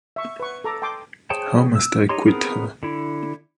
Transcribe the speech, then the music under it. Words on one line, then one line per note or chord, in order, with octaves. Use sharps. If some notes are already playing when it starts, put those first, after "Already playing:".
How must I quit her?
E5 C#6
B4 C#6
A4 A#5 D6
G5 A5 C6 D6 D#6
G#4 C5 C#5 G5 A5
E6
D#4 G4 C#5 C6
B3 C4 G#4 A#4
D3 E4